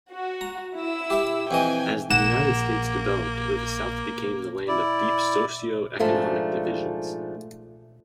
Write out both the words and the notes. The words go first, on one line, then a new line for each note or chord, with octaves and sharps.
As the United States developed, the south became the land of deep socioeconomic divisions.
F#4
A#5
E4 E6
G4 E5
F2 E3 D#5 G5 G#5
A#1 A#3 F#5 E7
E4 D5
G#2 F3 A3 D4